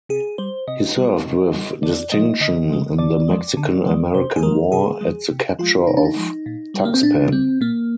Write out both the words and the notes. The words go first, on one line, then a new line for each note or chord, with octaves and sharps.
He served with distinction in the Mexican-American War at the capture of Tuxpan.
C3 G#4
G3 C5
C3 D#5
G3
C3
G3
D3 D5
F3 G#3 D#5
D3 D#5
F3 G#3
D3 D5
F3 G#3
D3
F3 G#3
C3 C5
G#4
F3 G#3 A#4
C3 G#4
F3 G#3
C3
F3 G#3 F4
C3 D#4
D4
D#4
F3 G#3
A#2
G3
A#3
C4
A#2 D4
G3 C4
A#2 A#3